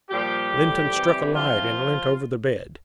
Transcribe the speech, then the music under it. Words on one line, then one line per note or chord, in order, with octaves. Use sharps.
Lynton struck a light and leant over the bed.
A#2 F3 G3 G4
A2 F3
C3 E3
C3 E3 F3 F4